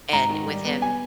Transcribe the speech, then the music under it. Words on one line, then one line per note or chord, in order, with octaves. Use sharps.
and with him
G#2 A#5
D#3
G3
B3
G#5